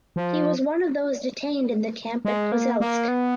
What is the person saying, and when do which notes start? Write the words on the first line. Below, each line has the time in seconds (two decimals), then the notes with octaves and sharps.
He was one of those detained in the camp at Kozelsk.
0.16 F3
2.25 G#3
2.52 A#3
2.80 A#3
3.08 B3